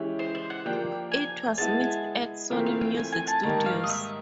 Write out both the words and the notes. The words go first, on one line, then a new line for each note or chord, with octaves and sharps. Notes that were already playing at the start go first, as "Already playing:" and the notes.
It was mixed at Sony Music Studios.
Already playing: E3 G#3 C#4 E4 G4
C5
C5
F#5
F3 A#3 D4 G4 G5
G#5
G#3 B3 E4 A5
G#5
E3 A3 C4 F4 A#4 G5
F5
G5
G#5
G#5
A5
G#2 D#3 G3 A#3 A#5
F5
D#5
E5